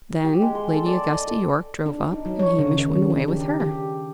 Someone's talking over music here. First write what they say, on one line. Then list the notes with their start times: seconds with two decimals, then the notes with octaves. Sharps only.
Then Lady Augusta Yorke drove up, and Hamish went away with her.
0.24 G4
0.42 G#3
0.55 C6
0.73 A4
0.86 D5
1.10 D#5
1.27 A4
1.86 D4
2.12 D#4
2.26 F#3
2.39 C#5
2.59 C#3
2.78 D#3
3.10 D4
3.28 G4
3.60 G4